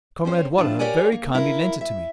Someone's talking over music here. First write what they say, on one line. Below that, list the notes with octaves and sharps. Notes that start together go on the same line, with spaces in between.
'Comrade Waller very kindly lent it to me.
C4 C#4 C5 C#5
A2 F3 D4 F4 A5
G4 A#4 C#5 D5 F#5 G#5
A#3
E4 F4 A#4
E5